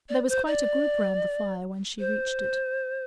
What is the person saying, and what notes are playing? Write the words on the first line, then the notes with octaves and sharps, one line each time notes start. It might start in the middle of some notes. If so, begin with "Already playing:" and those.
There was quite a group round the fire when she reached it.
D5
C5
D5
C5